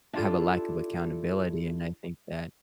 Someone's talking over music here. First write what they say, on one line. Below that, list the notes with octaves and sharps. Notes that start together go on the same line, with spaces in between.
have a lack of accountability, and I think that
D4 E4 F4 G4 A4